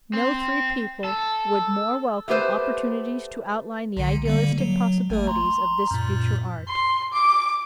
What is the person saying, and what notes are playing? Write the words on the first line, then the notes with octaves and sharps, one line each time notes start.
No three people would more welcome opportunities to outline the idealistic possibilities of this future art.
C4
A4
A3 B3 G4 B4 C5
B1 D3
D3 G3 A#3
F#3
G#1 A3
A#5 C6
F#2 A#2
C6
D6